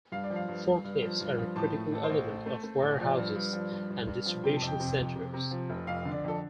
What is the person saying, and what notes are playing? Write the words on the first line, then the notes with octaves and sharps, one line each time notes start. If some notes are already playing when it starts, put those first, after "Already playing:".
Forklifts are a critical element of warehouses and distribution centers.
G2 F5
D5
F3
F5
G2
G2
G2
F3
G2
F3
A2 A5
A3
A1 A4
C5
A1
A3
A3
A3
A1
F3 D5
G2
G2
F3
G2
G2
G2
F3
C3 G5
A5
F2
G5
C3
F2
C3
C3
F3
F1
F2 F5
D3
D5
F2 A4